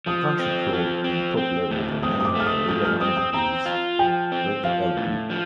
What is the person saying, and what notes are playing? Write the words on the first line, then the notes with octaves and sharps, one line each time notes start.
The country code and top-level domain for Lebanon is ".lb".
F3 D#6
C4
F3
C4
C4
A2
C4 D#6
D#6
D6
A3 F6
D#6
F3 D#6
F6
C4 D#6
D#6
C4 A#5
F4
F3 G5
C4
F3 F5
A2
F3